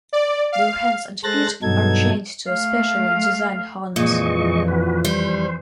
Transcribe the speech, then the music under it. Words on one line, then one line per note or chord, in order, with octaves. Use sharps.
Their hands and feet are chained to a specially designed harness.
D5
F5
G#3 A4 C5 F#6 A6 A#6
G2 B2 F#3 D#4 A4 G#6
A3 F5
F2 A#2 E3 G#3 D#5 C#6
F#4 B4
G3 C5